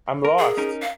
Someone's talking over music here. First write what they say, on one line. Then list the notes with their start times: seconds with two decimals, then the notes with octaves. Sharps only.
I am lost!
0.25 A#4
0.39 G#4
0.57 C#4 D#4 A#4
0.82 F5